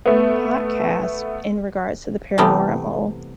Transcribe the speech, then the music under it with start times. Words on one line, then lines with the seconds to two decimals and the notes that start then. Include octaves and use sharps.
podcasts in regards to the paranormal
0.06 A3 B3
2.38 C3 E3 G3 A3 B3